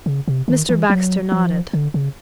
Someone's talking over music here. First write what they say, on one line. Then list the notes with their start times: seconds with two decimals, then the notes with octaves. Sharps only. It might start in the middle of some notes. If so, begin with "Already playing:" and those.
Mr. Baxter nodded.
0.06 C#3
0.28 C3
0.48 D#3
0.69 E3
0.90 F#3
1.32 F3
1.73 D3
1.94 C#3